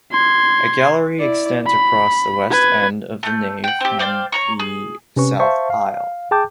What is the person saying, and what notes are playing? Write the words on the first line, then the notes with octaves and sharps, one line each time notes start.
A gallery extends across the west end of the nave and the south aisle.
C6 G#6
E4 D5
B5
B4 G#6
A3 G6
F#5 G5
C4 G4
C5 D5 F5 G5
C#5 A#5 C#6
G#4
C3 C#4 B4 C#6
C5 E5 F5 A5 C#6
F5
G#4 G5 A5 D6 G6